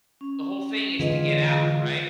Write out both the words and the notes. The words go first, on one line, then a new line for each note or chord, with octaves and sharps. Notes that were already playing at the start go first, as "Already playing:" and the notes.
the whole thing is to get out, right?
C#4
D3 E3 G#3 F4 G#4 B4 D#5